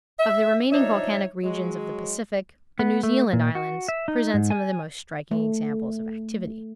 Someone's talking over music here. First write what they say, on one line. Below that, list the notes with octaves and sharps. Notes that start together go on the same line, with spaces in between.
Of the remaining volcanic regions of the Pacific, the New Zealand islands present some of the most striking examples of activity.
E5
F3 D4 D#4 C#5 E5
F#3 G#3
B3
A3
A#2
F#4
E5
D#4
G#2
G#5
A3